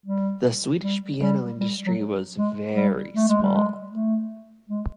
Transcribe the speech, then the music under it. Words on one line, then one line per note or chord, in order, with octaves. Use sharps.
The Swedish piano industry was very small.
G3
G3
G3
G3
F#3
G#3
G3
A3
G#3
G3
G#3
A3
G#3